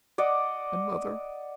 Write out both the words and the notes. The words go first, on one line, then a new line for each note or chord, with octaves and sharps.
"And mother?"
D5 D#5 F#5